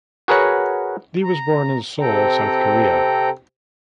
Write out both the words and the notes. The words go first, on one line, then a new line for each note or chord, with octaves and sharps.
Lee was born in Seoul, South Korea.
F#4 G#4 A#4 B4 C#5 F#5
A#5
C3 C4 A4 G5 A#5